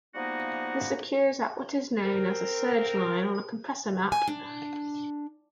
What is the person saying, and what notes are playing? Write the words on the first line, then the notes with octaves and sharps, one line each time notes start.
This occurs at what is known as the surge line on a compressor map.
F3 G3 A#3 B3 D#4 F#4
C4 A#4
G#5
D4